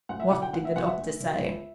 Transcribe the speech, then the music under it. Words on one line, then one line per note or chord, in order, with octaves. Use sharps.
"What did the doctor say?"
D2 F#5
E5
D3 F#3 F#5
G5
D2 F#5
E5
D3 F#3 F#5
E5
D2
D3 F#3
C#2